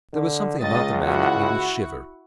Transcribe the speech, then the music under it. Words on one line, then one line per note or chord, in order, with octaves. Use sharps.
There was something about the man that made me shiver.
D3
C#2 G#3 D#5 A6
E4 F#4 F#5